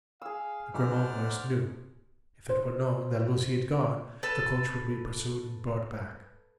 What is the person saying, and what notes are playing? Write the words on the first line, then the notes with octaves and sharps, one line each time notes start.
The grim old nurse knew if it were known that Lucie had gone, the coach would be pursued and brought back.
G#4 F5 E6
B1 C5 D5 F#5 F6
C5
A4 B4 A5